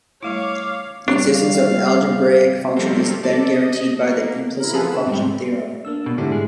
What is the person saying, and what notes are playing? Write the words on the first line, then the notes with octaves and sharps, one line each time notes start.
The existence of an algebraic function is then guaranteed by the implicit function theorem.
G3 A3 E4 C#5 F5 D6
G3 A#3 D4 C#5 F5
F3 G3 A3 A#3 C4
A4 D5
D#5
A#3
E4 A#4
F3 B3 F4 G#4 A4 B4
D3 B5 E7
G#2 G3 G#3 C4
A#3 D4 E6
B2
G#2 D3 E4 G4 A4
G#3 G#4